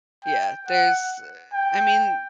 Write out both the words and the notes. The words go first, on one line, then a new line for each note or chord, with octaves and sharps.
Yeah, there's, eh, I mean,
G5
F#5
G5